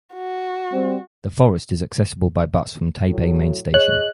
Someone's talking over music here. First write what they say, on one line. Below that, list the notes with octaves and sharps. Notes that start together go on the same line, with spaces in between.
The forest is accessible by bus from Taipei Main Station.
F#4
G3 C4
A2 F#3
G#4 C#5 D#5 F#6